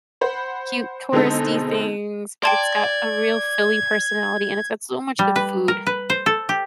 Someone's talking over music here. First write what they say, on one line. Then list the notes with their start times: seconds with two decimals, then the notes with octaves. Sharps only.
cute touristy things, but it's got a real Philly personality and it's got so much good food
0.21 C5 F#5 B5
1.12 B2 D3 G#3 C4 D#4 A4
2.43 D5 G5 A5 C6 G#6
5.19 G3
5.36 B4
5.68 A#4
5.87 B4
6.10 C5
6.26 A4
6.49 G4